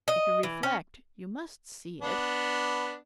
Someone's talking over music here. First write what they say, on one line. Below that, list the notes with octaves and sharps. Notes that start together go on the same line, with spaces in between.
If you reflect you must see it.
D#5
E3
C#4
B3 D4